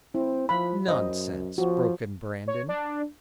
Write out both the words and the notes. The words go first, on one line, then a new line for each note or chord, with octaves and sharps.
"Nonsense!" broke in Brandon.
C4 E4
F3 F4 B5
F#2 C5 D#5
F3 F#4
C#5
D4